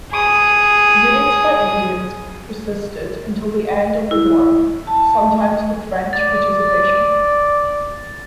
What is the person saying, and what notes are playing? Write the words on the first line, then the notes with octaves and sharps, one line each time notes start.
Raids by Indians persisted until the end of the war, sometimes with French participation.
G#4 D#6
E4
A5
D5 A6